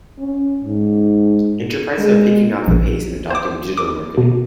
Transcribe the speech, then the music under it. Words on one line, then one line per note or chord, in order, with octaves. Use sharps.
Enterprises are picking up the pace in adopting digital marketing.
C#4
G#2
G#3
A#1
C5 D6
D6
B2